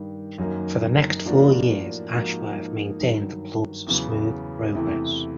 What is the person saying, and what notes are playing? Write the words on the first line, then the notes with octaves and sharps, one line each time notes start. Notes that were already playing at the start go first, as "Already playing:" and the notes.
For the next four years Ashworth maintained the club's smooth progress.
Already playing: G2 D#3 G3
F#2 D#3 F#3 A#3 D#4
A2 F3 A#3 D4 F#4
G#2 F3 A#3 D#4 F#4
G2 D#3 F#3
E2 C#3 F#3 B3
E2 C3 E3 A3